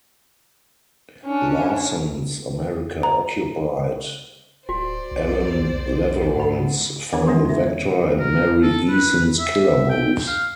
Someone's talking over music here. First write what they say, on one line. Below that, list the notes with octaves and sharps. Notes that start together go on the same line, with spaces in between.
Larson's "America Occupied", Allan Leverone's "Final Vector", and Mary Eason's "Killer Moves".
C#4 D4
A#5
D1 F#4 C5 D5
B1
B1
G#2 F#5 B5
D#3 D4 C#5 D5 D6
E3 F3 G#3 B3 C#4 E4
D4 E5
C#5
A#4
A4
B4
E5
G5
F5